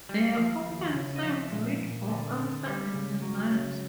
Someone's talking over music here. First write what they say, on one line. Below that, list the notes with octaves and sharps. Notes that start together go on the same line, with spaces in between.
They are often served with or after a dessert.
G3
F3 F5
D#2
C#3
D#5
F3 E5
A#2
A#2
D3
D3
G3
C#3
F#3
C#3